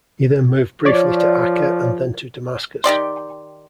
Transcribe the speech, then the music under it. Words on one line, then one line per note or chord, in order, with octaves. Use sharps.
He then moved briefly to Akka and then to Damascus.
F3 C#5 D5
D#3 G4 D5 C6